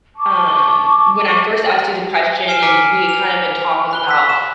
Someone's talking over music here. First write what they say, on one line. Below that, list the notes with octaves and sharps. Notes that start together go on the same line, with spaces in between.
Um, when I first asked you the question and we had kinda been talking about
A5 C#6 D6
G#5 F6 C7 C#7 E7
A#5 D6 F6 B6 D7 D#7
F7
B5 F#6 G7
E6 B6
E7